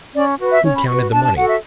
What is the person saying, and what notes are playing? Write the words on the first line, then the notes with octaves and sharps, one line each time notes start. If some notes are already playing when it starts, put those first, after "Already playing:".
Who counted the money?
C#4 D5
F#4 B4
E5
C#4 C#5
B5
F#4 B4 C#6
D4 A5
A5
F#4 A4 F#5
E5